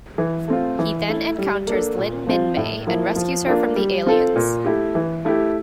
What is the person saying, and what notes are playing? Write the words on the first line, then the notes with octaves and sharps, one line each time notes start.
He then encounters Lynn Minmay and rescues her from the aliens.
E3
A3 C4 F4
E3
A3 E4 A4
G3
A#3 D4 A4
A#2
F3 C4 F4
A2
F3 A#3 E4
F3
A#3 D4 F4
G3
C4 F4 A4
A#2
A3 E4 G4
E3
A3 E4 G4